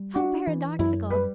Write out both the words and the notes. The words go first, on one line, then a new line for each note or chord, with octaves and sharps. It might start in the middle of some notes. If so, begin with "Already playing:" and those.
How paradoxical!
Already playing: G3
D4 F#4
E3
F#2 E4
G3 B4